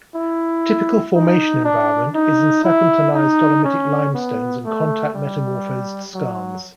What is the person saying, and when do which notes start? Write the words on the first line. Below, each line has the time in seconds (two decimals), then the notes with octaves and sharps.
Typical formation environment is in serpentinized dolomitic limestones and contact metamorphosed skarns.
0.15 E4
1.15 D#4
1.65 D4
2.15 D#4
2.64 E4
3.15 D#4
3.65 C#4
4.15 B3
4.65 A3
5.14 G3
6.14 F#3